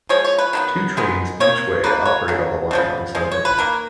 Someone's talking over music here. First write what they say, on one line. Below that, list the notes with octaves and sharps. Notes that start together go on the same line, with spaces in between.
Two trains each way operate on the line on Sundays.
F3 G#3 C#5
C#5
B4
D#3 F#3 B3
D#3 G#3 B3
D#3 A#3 C#5
F3 A#3 B4
C#5
C#3 F#3
C#3 F3 B3
F3 G#3
C#5
B4
D#3 A#3 A#4